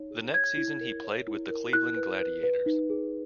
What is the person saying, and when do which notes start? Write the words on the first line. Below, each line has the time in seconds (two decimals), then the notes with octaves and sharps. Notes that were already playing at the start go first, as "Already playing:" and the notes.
The next season he played with the Cleveland Gladiators.
Already playing: D#4 C#5
0.11 G#4
0.33 C#5 G#6
0.57 E4
0.81 A#4
1.04 C#5
1.28 E4
1.50 A#4
1.73 E4 F#6
1.96 B4
2.20 B4
2.43 B4
2.66 D#4
2.90 G#4